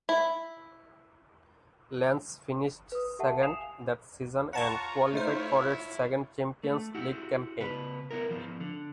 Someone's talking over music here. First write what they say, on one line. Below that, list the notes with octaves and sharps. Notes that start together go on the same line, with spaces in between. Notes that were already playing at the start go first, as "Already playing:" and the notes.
Lens finished second that season and qualified for its second Champions League campaign.
E4
B4 D#6
G4 A#4 E5 F#5 A5
F5 G#5 D#6 C7 E7 F7
F4 C#5 F#5 A5 A#5 C#6
A3 D#4 E4 C5
A3
E4 F#4 G4
C#3 B3 B4
B3 E4 A#4
F3 B3
D3